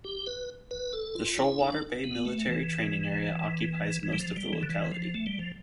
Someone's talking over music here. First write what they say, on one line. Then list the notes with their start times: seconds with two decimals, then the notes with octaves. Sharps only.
The Shoalwater Bay Military Training Area occupies most of the locality.
0.04 G4
0.26 B4
0.71 B4
0.93 A4
1.15 F4
1.37 E4
1.59 D4
2.04 B3
2.25 A3
2.48 E3
4.03 E3
4.12 G3
4.20 F3
4.36 G3
4.53 E3
4.63 D3
4.69 E3
4.92 F3
5.14 A3
5.26 G3
5.39 F3